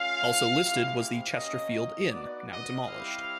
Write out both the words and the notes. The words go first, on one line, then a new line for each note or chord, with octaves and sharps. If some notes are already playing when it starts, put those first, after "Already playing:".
Also listed was the Chesterfield Inn, now demolished.
Already playing: A3 C#4 F4 F5
G#3 C4 E4 G4
A#3 C#4 F#4 D#5
B3 D#4 F#4 D5
D#5
G3 C4 E4 G4 F5